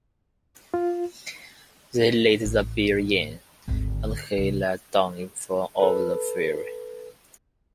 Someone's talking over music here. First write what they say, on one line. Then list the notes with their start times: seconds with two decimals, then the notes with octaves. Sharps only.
They let the bear in, and he lies down in front of the fire.
0.74 F4
2.45 A1
3.68 G#1 D2
4.38 C2
5.80 A4 B4